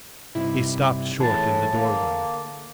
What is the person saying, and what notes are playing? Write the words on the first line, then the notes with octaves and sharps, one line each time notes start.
He stopped short in the doorway.
G2 C3 D#4 E4
A2 E3 G#4 A5 A6
D3 A#3